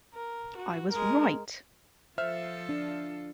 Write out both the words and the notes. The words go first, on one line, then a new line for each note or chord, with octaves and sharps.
I was right!
A#4
F#4
G#3 A#4
F3 F4 A4 C5 E5 F6
D4